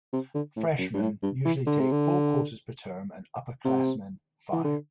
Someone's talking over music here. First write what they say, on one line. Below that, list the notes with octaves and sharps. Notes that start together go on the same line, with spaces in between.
Freshmen usually take four courses per term and upperclassmen five.
C3
D3
A2
F#2
G2
A2
G2
E3
D3
C3
D3
C3
E3
D3